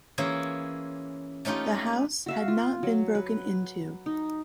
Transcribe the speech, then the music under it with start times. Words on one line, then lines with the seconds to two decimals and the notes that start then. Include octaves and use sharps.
The house had not been broken into.
0.18 E3 A#3 C#4 E4 F4 G#4
1.45 A3 C#4 D#4 F4 G4
2.26 F#4 E5 F5
2.48 F4
2.83 F#3
3.15 B4
4.06 D#4